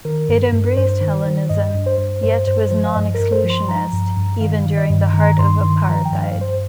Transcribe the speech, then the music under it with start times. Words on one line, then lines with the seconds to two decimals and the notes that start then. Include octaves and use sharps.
It embraced Hellenism, yet was non-exclusionist, even during the heart of apartheid.
0.05 D#3 A#4
0.29 G2
0.52 G2
0.77 G2 C5
1.01 D#3
1.25 D#3
1.49 G2 D#5
1.74 G2
1.86 C5
1.98 G2
2.23 G2 C5
2.47 G2 C5
2.71 F3 C5
2.85 F5
2.95 G2 D#5
3.14 G2 A#4
3.32 C5
3.44 F3
3.50 C6
3.68 F3 A#5
3.93 G2
4.17 G2
4.41 D#3 F5
4.66 D#3
4.77 D#5
4.90 G2
5.14 D#3 A#5
5.39 G2 C6
5.63 D#3 C6
5.86 F3 A#5
6.05 G5
6.12 G2
6.23 F5
6.35 G2
6.41 C5